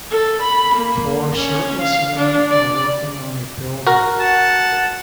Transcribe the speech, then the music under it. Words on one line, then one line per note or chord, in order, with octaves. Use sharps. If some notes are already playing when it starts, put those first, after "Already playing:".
Four shirtless men are working on a building.
A4
B5
A#3
C#4
F5
D4
D5
F#4 A#4
F#5 A5